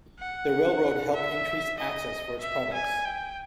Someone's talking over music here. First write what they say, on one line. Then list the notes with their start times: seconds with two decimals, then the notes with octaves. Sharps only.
The railroad helped increase access for its products.
0.19 F#5
1.14 E5
1.79 D#5
2.41 E5
2.74 G#5
3.05 G5